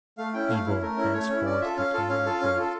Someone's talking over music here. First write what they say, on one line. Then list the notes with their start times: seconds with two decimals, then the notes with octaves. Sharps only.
Evil thenceforth became my good.
0.18 A3 F5
0.33 C#4 E4 G5
0.49 A3 F5
0.65 C#4 E4
0.81 A3 A#4
0.97 C#4 E4
1.13 A3 C#5
1.29 C#4 E4
1.45 C#4 D5
1.61 F4 A4 E5
1.77 C#4 F5
1.93 F4 A4
2.09 C#4 F5
2.25 F4 A4
2.41 C#4
2.57 F4 A4